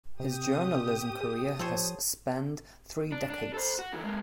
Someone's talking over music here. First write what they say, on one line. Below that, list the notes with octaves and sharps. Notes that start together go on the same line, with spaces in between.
His journalism career has spanned three decades.
C3 G4 D#6
G#4
F3 A4 C5 C#5
D4
D4
A4 C5
F#4
D3 E3
G#3 A#3